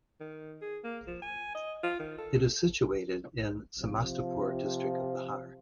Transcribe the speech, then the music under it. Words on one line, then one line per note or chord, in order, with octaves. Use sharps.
It is situated in Samastipur district of Bihar.
D#3
G#4
A#3
F3
G#5
D#5
F4
D#3
A4
C3 F3